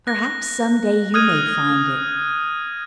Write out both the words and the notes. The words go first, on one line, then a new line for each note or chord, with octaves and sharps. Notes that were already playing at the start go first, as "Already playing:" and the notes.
Perhaps some day you may find it.
F#6 A#6
D#6 F6 F#6 G#6 D#7